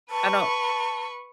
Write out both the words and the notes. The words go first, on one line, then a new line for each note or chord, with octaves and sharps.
I don't
B4 A5 C#6